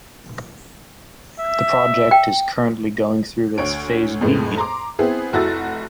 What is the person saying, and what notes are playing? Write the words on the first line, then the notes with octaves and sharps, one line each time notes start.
The project is currently going through its Phase B.
E5
G5
D2 C#5 D7
F2 A2 G#3 A3 B3
A#5 C6 D6
B3 C4 E4 G#4
F1 E4 F#4 A4 E6 A6